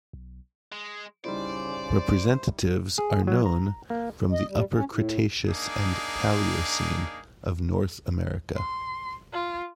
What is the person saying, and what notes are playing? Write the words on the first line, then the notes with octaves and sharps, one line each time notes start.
Representatives are known from the Upper Cretaceous and Paleocene of North America.
B1
G#3
C#3 G3 D#4 E4 C5 D5
G#4
F#3
A#5
A#3
D#5
G3
C#4
A2
A#3 D4 D#4 G#4
C6
F4